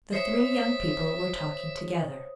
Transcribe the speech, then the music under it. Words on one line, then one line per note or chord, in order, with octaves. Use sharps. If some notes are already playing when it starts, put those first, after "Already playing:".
The three young people were talking together.
C5 C#5 E5 D#6